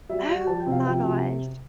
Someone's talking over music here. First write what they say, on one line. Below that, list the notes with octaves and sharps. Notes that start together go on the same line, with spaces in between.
Oh my gosh.
G3 E5
G3
F3 A5
G5
C3
F5
F3 G5
C3